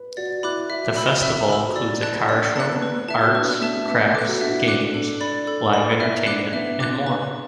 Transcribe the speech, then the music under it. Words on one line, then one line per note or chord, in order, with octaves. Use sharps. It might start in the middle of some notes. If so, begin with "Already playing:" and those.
The festival includes a car show, arts, crafts, games, live entertainment and more.
Already playing: B4
F#4 D5
E4 B5 D6 F#6
F#4 E5
B5 E6
E5
B4 B5 E6
A4
F#4
E4 D5
E4 A5 F#6
D4 D5
B3 A5 F#6
B3
A3 B4
B3
E4 E5 A5
F#4
D4 B4
B3
A3 E5 A5
A3
B3 E5
B4
A4 D6 F#6
F#4
D4 E5
E4
D4
D6 F#6
D4 A4
D5 B5
A4
D5 B5
E4 E5
D4 D6 F#6
B3 E5
D4 D6 F#6
D4 B4